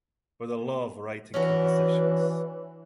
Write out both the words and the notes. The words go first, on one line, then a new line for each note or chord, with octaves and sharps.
But I love writing compositions.
E3 C#4 D4 F#4